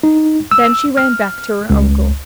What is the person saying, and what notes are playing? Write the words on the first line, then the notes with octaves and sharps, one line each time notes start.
Then she ran back to her uncle.
D#4
E6
F6
C#2